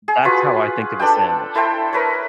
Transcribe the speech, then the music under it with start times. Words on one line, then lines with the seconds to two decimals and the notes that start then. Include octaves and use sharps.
That's how I think of a sandwich.
0.08 G#4
0.25 F4 F#4 B4
1.00 D4 A4 B4 G5
1.55 E4 A4 C5 G5
1.93 A#4 B4 C#5